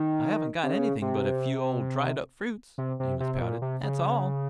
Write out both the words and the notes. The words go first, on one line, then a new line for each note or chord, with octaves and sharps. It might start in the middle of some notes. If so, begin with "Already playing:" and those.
"I haven't got anything but a few old dried-up fruits," Amos pouted. "That's all."
Already playing: D#3
C3
C#3
C3
C3
C3
C3
C3
A#2
C3
C#3